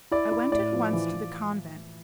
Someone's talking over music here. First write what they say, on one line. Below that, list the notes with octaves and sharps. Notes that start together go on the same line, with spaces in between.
I went at once to the convent.
E4 D5
E4
A2 D5
F3
E3
E3